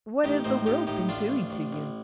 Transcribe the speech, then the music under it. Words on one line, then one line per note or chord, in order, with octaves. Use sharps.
'What has the world been doing to you?'
A1 D#4 G4
A2 C4 D#4
A2 D#4 G4
A2 D#4 G4
A1 D4 F4
A1
A1
A1